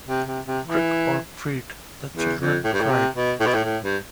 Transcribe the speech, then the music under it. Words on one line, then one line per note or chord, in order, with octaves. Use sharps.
"Trick or Treat" the children cried!
C3
C3
C3
E3
E2
F2
A2
G2
A2
C3
B2
A2
B2
A2
A2
G2